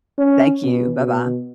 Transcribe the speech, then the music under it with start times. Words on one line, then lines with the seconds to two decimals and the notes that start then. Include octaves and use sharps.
Thank you. Bye-bye.
0.18 C#4
0.64 B2
0.98 B2